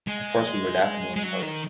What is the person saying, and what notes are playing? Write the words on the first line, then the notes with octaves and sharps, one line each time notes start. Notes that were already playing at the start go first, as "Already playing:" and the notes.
At first we were laughing when we heard it.
G#3
G#3
F#3
D#3